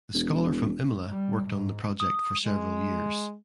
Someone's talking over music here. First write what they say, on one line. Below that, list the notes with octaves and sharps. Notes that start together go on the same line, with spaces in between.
The scholar from Imola worked on the project for several years.
E1
G3
G#2
D#6
G#3